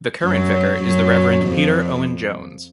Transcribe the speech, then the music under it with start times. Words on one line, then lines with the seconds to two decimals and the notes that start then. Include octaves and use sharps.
The current vicar is the Reverend Peter Owen-Jones.
0.23 F#2 F#3
0.83 F#2 F#3
1.44 F2 F3